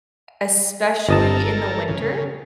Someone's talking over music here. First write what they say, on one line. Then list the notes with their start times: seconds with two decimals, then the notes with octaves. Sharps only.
especially in the winter,
1.09 G1 A4 A#4 D#5 A5
1.88 C#3